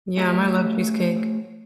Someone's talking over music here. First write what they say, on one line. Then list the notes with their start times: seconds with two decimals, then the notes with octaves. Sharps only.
Yum, I love cheesecake.
0.17 A2 A3 G4 D#5 A5 A#5